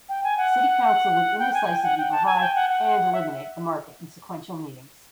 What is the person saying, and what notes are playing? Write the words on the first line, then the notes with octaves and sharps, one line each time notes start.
City Council would indecisively revive and eliminate the market in sequential meetings.
G5
G#5
F#5
G5
G#5
G5
F#5
G5
A5
G#5
G5
F#5
F#5
E5